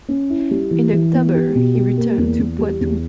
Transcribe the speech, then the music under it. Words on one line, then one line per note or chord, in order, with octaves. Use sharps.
In October he returned to Poitou.
C#4
E4
G3
E3
E3
B3
G4
B2
G4
A#3
E2
E2
G3
E2